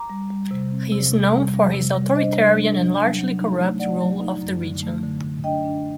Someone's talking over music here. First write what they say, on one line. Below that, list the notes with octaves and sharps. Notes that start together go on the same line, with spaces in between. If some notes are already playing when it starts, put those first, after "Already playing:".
He is known for his authoritarian and largely corrupt rule of the region.
Already playing: A#5 D6
G3
G3
C3
C4
C3
C3
G3
G3
C3
G3
D4 C5 D#5
G3
D4
D4
F#3
F#3
D#4
A3
A3 D5 F#5
F#3
D#4
F#2
D3
A3
D3
D3
D4 D#5 G5
D4